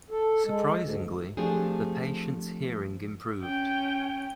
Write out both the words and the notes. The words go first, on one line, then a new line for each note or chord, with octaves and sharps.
Surprisingly, the patient's hearing improved.
A4
G#3
D2
F3 A3 C4 D4 G4 G#4
C#4 G5